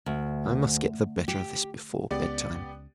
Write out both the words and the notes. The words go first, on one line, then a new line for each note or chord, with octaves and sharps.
I must get the better of this before bed-time.
D2
G4
C#2 B3 G4 D5